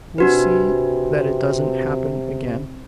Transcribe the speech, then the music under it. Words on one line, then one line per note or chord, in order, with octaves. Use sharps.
"We'll see that it doesn't happen again."
C3 D4 F#4 B4